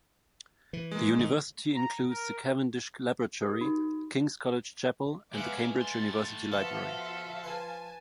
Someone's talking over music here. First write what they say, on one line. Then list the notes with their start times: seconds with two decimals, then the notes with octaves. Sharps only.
The university includes the Cavendish Laboratory, King's College Chapel, and the Cambridge University Library.
0.73 E3
0.91 G#3 A#3
1.19 D#3
1.74 A#5
2.08 A#4
3.42 G4
3.61 D#4
5.34 F#3 G#3 B3 G#4 E5 F5 D6
5.82 A2 C6 A6
6.51 F3 B3 F4 F#4 A4 A#4 E5
7.44 B4 G#5 A5